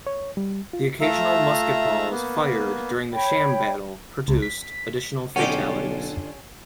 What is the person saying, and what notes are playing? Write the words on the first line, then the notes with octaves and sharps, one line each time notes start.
The occasional musket balls fired during the sham battle produced additional fatalities.
C#5
G3
F4
A3 F4 E5 A#5
A#3 B3
C#5 G5 B5
C#2
B6
B1 D3 C#4 F4 G4 A4 F#5